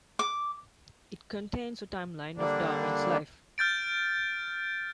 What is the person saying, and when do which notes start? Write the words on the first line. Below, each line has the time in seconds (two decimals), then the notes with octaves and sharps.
It contains a timeline of Darwin's life.
0.19 D6
2.37 D3 G3 A#3 D4
3.58 F6 G6 A6 D7